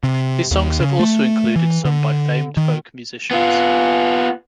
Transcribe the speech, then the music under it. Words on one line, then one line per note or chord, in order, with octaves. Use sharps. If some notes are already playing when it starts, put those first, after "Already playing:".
His songs have also included some by famed folk musicians.
C3
D#2
C#3
A3
E3
D3
D#3
B3 F4